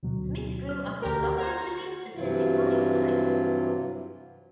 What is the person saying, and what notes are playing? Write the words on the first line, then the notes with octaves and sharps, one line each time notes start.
Smith grew up in Los Angeles, attending Hollywood High School.
D2 B2 F#3
F6
D2 G4 A#4
C5 F#5 A#5 G#6
G2 C3 E3 F#3 E4 F4